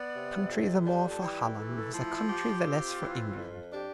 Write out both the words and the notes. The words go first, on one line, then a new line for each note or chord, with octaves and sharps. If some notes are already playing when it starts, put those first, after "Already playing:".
A country the more for Holland was a country the less for England.
Already playing: B3 D5
C3
F2
G3 A5
A5
E3 G5
A3 A4
G4
A4
F3 E4
F4 G4
C4
E3
F2
D4 G4